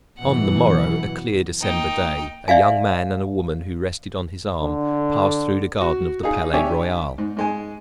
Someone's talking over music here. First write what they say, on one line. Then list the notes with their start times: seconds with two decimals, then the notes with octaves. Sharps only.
ON the morrow, a clear December day, a young man and a woman who rested on his arm, passed through the garden of the Palais-Royal.
0.18 F#2 B2 E3 F#5
1.61 A#3 D#4 G5
2.48 D5 E5 F5 G#5
4.63 D3
5.81 F#4
6.23 D#4 F4 G#4
6.54 D4 G4 C#5 E5 G#5
7.18 G#2
7.37 G#2 G#3 G#5